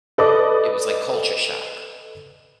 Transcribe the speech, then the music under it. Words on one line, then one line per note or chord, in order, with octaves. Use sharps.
it was, like, culture shock.
A4 B4 D5 D#5 D6 D#6